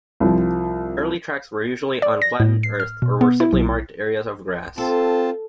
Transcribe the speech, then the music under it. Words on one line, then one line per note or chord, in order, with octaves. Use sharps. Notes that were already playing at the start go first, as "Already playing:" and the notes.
Early tracks were usually on flattened earth or were simply marked areas of grass.
C2 F3
D5
A#6
A2
C7
F6
B2
B3
E4
B1
C4 F4 A4 A5